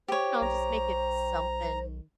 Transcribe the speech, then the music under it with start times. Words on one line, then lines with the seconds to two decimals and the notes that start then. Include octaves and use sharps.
you know, just make it something.
0.08 G4 C5 C#5
0.42 B1 A#5